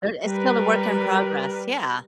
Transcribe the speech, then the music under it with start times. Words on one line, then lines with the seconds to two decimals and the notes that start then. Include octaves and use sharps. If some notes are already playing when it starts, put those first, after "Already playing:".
But it's still a work in progress, yeah,
0.21 G3 A#4 B4